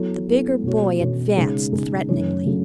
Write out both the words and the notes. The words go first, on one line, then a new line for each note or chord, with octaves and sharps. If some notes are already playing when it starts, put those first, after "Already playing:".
The bigger boy advanced threateningly.
Already playing: F#3 B3 E4 A4
F#3 B3 E4 A4
B2 A3 C#4 F#4 C#5
B2 A3 C#4 F#4 C#5
C#3 G#3 D#4 G#4
C#3 G#3 D#4 G#4
F#2 C#3 F#3 A3 C#4
C#3 F#3 A3 C#4